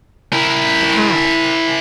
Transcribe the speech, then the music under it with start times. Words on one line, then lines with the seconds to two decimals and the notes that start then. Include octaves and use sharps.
But how?
0.33 E4 A#4